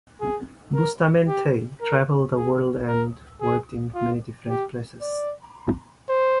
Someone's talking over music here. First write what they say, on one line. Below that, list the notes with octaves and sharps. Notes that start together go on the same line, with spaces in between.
Bustamente travelled the world and worked in many different places.
G#4
A#4
G4
A#4
G#4
A#4
G#4
F4
G4
D5
C5